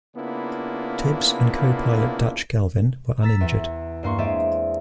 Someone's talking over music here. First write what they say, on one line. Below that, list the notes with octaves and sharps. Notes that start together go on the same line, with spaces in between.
Tibbs and co-pilot Dutch Gelvin were uninjured.
C#3 A#3 B3 D4 E4 F4
A#5 E6 A6 B6
E2
G2 A#3 C6 C#6
G#3 C4 G#4 D5 E5